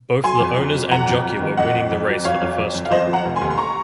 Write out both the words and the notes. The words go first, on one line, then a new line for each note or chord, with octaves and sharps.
Both the owners and jockey were winning the race for the first time.
F#3 G#5 C6
F2
F2
F#3
F2 F#5 A#5
F2
F#3
D#3
F2 D#5 F#5
F2
F2
F#3
F2 C#5 F5
F2
F2
F2
F5
F3 C5 D#5
F3
F#5 A#5
F1
G#5 C6
D#2
C6
A#5 C#6